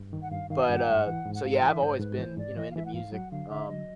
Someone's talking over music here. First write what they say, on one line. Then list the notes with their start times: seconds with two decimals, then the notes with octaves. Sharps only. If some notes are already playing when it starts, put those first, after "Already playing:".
but, uh, so yeah, I've always been, you know, into music, um,
Already playing: G2
0.13 D#3
0.22 F#5
0.31 G2 F5
0.50 D#3 F5
0.69 G2 F#5
0.88 G#2
1.07 E3
1.26 G#2
1.35 F#5
1.44 G#2 F5
1.57 D#5
1.62 E3 E5
1.81 G#2 C5
2.00 G#2 B4
2.19 E3 C5
2.37 G#2 D5
2.57 E3 D#5
2.71 F5
2.75 E3 E5
2.86 F#5
2.94 G#2 F5
3.12 F#3 F#5
3.31 D3 F5
3.50 D3 E5
3.69 F#3 D#5